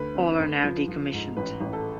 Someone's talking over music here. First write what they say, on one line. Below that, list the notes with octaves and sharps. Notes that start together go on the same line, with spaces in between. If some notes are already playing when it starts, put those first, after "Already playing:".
All are now decommissioned.
Already playing: D2 B4
C4
D2
F3
F3
G#2
A1 B4
A1
A4